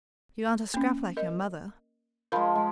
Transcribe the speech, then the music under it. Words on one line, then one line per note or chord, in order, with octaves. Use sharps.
You aren't a scrap like your mother.
A#3 C#4
A#4 D#5
F3 G#3 A#4 B5
G#3